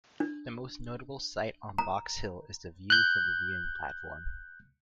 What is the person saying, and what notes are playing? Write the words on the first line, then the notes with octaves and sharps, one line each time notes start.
The most notable sight on Box Hill is the view from the viewing platform.
D4
A#5
F#6 G6